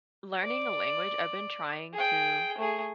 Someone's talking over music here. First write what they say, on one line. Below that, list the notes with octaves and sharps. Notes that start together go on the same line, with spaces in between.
learning a language, I've been trying to
D5
G#4 G5
A3 G#4